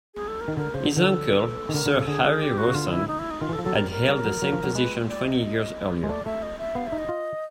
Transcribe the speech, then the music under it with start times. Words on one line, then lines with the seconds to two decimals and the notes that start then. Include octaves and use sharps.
His uncle, Sir Harry Rawson, had held the same position twenty years earlier.
0.15 G#4
0.28 A4
0.41 A#4
0.48 D#3
0.57 D3 A#4
0.74 C#3 C5
0.85 D3
0.97 D3 A4
1.69 D#3
1.74 D3 A#4
1.86 D3
1.91 A4
1.96 C#3
2.07 D3 G#4
2.25 G#4
2.42 G4
2.58 F#4
2.67 C#3
2.75 D3 F4
2.91 E4
3.08 D#4
3.19 E4
3.31 D#4
3.41 D#3 F4
3.49 E3
3.53 A4
3.59 F3
3.64 F#3 A4
3.75 G3 A#4
3.91 A#4
4.08 G3
4.25 F#3
4.42 F#3
4.52 F3
4.64 F#3
4.75 G#3 B4
5.09 D5
5.25 D#5
6.04 G#3
6.08 A3 D5
6.25 A3 E5
6.42 D#5
6.59 E5
6.75 B3 F5
6.87 E5
6.92 D#4
6.98 D#5
7.09 F4